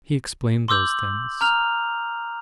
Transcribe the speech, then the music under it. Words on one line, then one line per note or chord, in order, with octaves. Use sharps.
He explained those things.
C6 D6 E6 G6 F#7
A#5 F6 F7